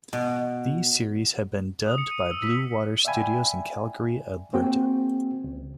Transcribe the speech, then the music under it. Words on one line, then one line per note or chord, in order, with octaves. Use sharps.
These series have been dubbed by Blue Water Studios in Calgary, Alberta.
B2
D#6
C#7
D#7
E6
B6
D5 E5 F5 G5 G#5 B5
A#3 C4 F#4 G#4 G5
C#2